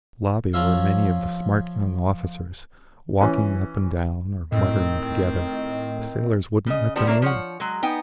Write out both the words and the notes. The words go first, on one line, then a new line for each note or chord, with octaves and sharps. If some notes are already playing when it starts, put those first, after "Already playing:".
In the lobby were many of the smart young officers, walking up and down or muttering together; the sailors wouldn't let them leave....
F3 F4 C#5 E5 F5
E3 C#4
A2 D#3 C4
C#3 D#5
F3 G3 B3 D4 F#4
A#3 D4 A#4 C#5 E5
F3 C#5 F#5
F#3 G#3
B3 D#4 G5 G#5